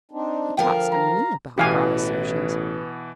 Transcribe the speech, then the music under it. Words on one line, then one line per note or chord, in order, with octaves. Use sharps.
He talks to me about broad assertions!
C4 D4 D#4
D2 F3 A#4 F5 G5
A#5
A1 B2 E3 B3 G4 B4 F5 G#5